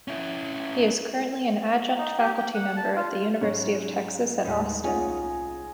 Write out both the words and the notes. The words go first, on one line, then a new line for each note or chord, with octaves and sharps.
He is currently an adjunct faculty member at The University of Texas at Austin.
C#4 E4
D#4
G4
G5
F#5
A5
F4
G#2 F#3 C#4 C#5
D#2 A2 G3 G#3 D#4
C2 C#4 D#4 F4 G#4 C#5 F#5